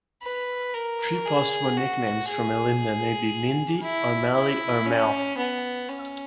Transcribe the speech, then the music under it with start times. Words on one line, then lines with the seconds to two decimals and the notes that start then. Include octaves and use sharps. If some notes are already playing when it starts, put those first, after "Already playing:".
Three possible nicknames for Melinda may be "Mindy" or "Meli" or "Mel".
0.23 B4
0.74 A#4
1.25 G#4
1.77 F#4
2.29 G#4
3.82 E4
4.34 E4
4.86 C#4
5.38 B3
5.89 C#4